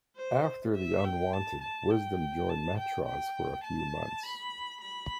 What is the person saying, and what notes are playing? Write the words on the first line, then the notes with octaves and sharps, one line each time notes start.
After the Unwanted, Wisdom joined Metroz for a few months.
C5
E5
G5
A5
A5
G5
A5
G5
G5
A5
B5
B5